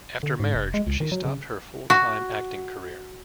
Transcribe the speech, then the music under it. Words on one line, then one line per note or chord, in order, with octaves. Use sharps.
After marriage, she stopped her full-time acting career.
D3
G#2
F1
G#3
C#2
D#3
F#3
C#3
F#4